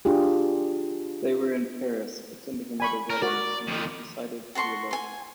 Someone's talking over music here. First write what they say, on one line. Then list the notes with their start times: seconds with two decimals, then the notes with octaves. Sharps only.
They were in Paris attending another wedding when they decided to elope.
0.05 D4 F4 G4 G#4
2.80 G#5 B5 C#6
3.10 A#3 A#4
3.22 F#4 A#4 D5
3.67 F2 D#3
4.55 F#4 A4 C6 C#6
4.91 G#5 C6